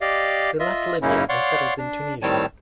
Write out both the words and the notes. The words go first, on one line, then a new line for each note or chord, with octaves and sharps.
They left Libya and settled in Tunisia.
G4 D5 D#5 F5
F4 D#5 E5
F#2 C#3 A#3 C#4 D#4 E4
C#5 D5 F5 F#5 C6 C#6
D4
A2 D#3 G3 C4 C#5 A5